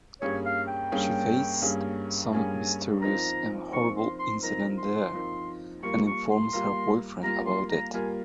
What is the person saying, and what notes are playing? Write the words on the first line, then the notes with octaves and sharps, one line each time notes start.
She faced some mysterious and horrible incident there and informs her boyfriend about it.
G2 G3 A#3 C#4 G#4 C#5
F5
G5
G2 G3 A#3 C#4 G#4
G2 G3 A#3 C#4 G#4
G2 G3 A#3 C#4 G#4 G#5
F3 C4 D#4 A#4 A#5
F3 C4 D#4 A#4 C#6
C6
C6
F3 C4 D#4 A#4 A#5
C6
F3 C4 D#4 A#4
G3 A#3 F4 A#4 C#6
C#6
C6
G3 A#3 F4 A#4
G3 A#3 F4 A#4 A#5
C6
A#5
G3 A#3 F4 A#4 G#5